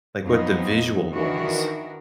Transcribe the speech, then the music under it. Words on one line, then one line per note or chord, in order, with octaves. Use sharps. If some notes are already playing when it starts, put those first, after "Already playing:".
like, what the visual was.
F2 F3 F#3 B3 D#4
D#3 E3 D4 F#4 A#4